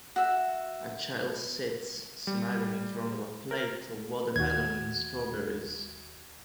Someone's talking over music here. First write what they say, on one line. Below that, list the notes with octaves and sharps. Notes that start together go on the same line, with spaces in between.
A child sits, smiling in front of a plate of watermelon and strawberries.
F#4 E5
G3
A#4
D#2 F#4 G#6